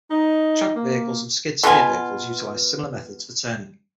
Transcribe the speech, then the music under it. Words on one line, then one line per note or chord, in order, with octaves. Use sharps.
Tracked vehicles and skid steer vehicles utilize similar methods for turning.
D#4
A#3
B2 B3 F4 G#5